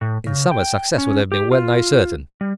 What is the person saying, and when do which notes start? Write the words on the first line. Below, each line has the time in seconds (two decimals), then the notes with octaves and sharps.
In summer, success would have been well-nigh certain.
0.01 A2
0.27 C#3
0.51 G5
0.98 C#4
1.32 G4
1.52 F4
2.41 G3